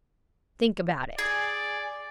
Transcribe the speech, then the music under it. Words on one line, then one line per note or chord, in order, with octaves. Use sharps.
Think about it.
G#4 D5